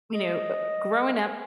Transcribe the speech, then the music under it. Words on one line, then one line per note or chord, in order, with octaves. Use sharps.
you know, uh, growing up
D#5